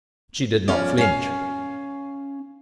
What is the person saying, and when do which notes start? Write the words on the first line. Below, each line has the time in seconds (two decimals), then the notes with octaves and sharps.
She did not flinch.
0.68 F3 C#4 D5
0.98 C#4 F5